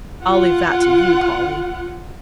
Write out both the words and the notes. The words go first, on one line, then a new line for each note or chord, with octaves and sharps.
"I'll leave that to you, Polly."
F4 F#5